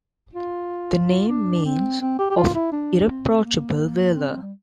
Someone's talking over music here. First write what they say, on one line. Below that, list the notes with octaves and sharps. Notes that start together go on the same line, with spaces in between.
The name means "of irreproachable valor".
F4
D4
C4
C4
G4
G4
F4
E4
D4
C4
A#3
C4
G3